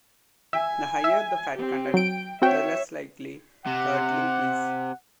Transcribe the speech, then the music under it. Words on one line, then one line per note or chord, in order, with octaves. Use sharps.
The higher the fat content, the less likely curdling is.
E5 G#5
E5
C4 G4
F#3 G5 D7
C4 F#4 C#5 E5 G5
C3 F#5